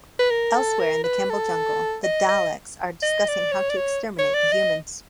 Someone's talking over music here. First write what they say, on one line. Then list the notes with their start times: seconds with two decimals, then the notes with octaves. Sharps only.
Elsewhere in the Kembel jungle, the Daleks are discussing how to exterminate the humans.
0.19 B4
0.30 A#4
0.55 A4
0.79 A#4
1.04 B4
1.30 A4
2.04 D#5
2.29 D#5
3.03 D#5
3.28 D5
3.52 C#5
3.70 D5
3.77 C#5
4.19 C#5
4.34 D5
4.52 D#5